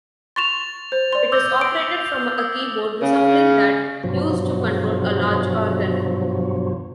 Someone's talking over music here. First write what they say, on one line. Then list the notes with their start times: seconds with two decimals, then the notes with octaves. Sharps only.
It is operated from a keyboard resembling that used to control a large organ.
0.36 C6 C#6 A6 E7 F7
0.92 C5
1.13 D5 C6
1.32 D6 E6 G6
1.61 D#6 A#6 D7
2.38 D#6 E6
3.02 C#3
4.03 G2 B2 F3 F#3